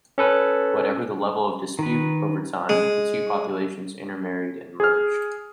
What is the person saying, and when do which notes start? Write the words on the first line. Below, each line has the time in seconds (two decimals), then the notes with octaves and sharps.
Whatever the level of dispute, over time, the two populations intermarried and merged.
0.18 C#4 A4 B4
1.79 D#3 B4
2.69 G#3
4.80 G#4 F6